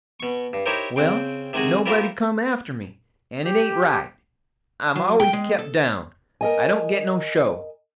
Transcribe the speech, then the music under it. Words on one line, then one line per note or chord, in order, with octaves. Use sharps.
"Well, nobody come after me, and it ain't right I'm always kept down; I don't get no show."
B2 C#6
G2
D#4 E4 G4 A#4 C5 C#5
C#3 C4 G5 C6
C3 D#3 G#3 F#4 G#4
E4 F4 G4 A#4 C5 F5
G4
F#3
G5
G#3
A4
A#4 D#5 G#5